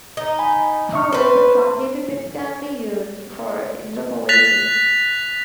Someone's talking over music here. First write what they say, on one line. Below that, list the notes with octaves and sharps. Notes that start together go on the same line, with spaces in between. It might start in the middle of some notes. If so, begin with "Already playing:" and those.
However, the truncated bits can be used for interpolation.
D#4
G#5 B5
E5 C#6 F6
B4 C5
F#6 A6 B6 F7